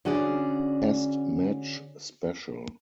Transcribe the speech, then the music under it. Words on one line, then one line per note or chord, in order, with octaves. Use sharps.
"Test Match Special".
D3 C#4 F#4 G#4 D5